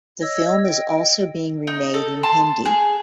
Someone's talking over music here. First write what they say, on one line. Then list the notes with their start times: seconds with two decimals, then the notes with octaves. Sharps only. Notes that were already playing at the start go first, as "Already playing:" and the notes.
The film is also being remade in Hindi.
0.22 C#5 D#5 E6
0.66 D#5 G5
1.67 D#4
1.94 A4
2.23 A5 C6
2.65 G#4